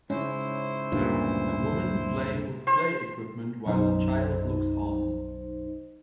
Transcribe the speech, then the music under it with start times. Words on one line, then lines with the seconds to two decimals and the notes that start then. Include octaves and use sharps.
A woman playing with play equipment while a child looks on.
0.10 G#2 C#3 C#4 E4 C5
0.92 D2 G2 A#2
2.67 C5
3.66 B1 F#2 D#4 C5